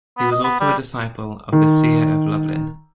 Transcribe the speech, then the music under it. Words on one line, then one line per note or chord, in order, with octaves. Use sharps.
He was also a disciple of the Seer of Lublin.
B3
D#5
B3
G3
D#3